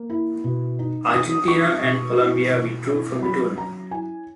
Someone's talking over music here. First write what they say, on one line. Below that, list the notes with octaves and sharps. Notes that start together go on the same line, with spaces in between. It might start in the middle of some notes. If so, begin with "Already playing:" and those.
Argentina, and Colombia withdrew from the tournament.
Already playing: A#3
E4
B2
D#4
D#4 D#6
D#4 C#6
B2
E4
B2
E4
F#3 B5
C#4 A#5
E4 G#5